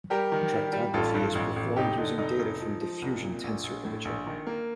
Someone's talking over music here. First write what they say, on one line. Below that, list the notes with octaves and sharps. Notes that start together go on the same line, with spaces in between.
Tractography is performed using data from diffusion tensor imaging.
G3 G4 A#4
D#3
G3
G3
A1 F4 A4
G2
A1
A1
F1 D#4 G4
D3 D#4
F1 D#4
F1
F3
F3
C2
A#2
A#1
A#1
A2
A#1
D#3
A#3